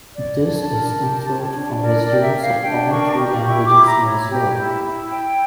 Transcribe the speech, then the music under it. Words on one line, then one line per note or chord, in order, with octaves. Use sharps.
This is inferred from his use of all three languages in his works.
C#5 D5
D4
A5
A#4
G4
C#5
D4
A#4 D5
D5
G4
E5
C#5
F5
D4 G5
A#4 C#6
G4
E4 C#6
D6
E4
A#5
C#5
G4
E4
E4
C#5 G5